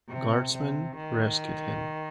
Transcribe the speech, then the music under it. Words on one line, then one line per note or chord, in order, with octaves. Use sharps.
Guardsmen rescued him.
C3
C3
D#3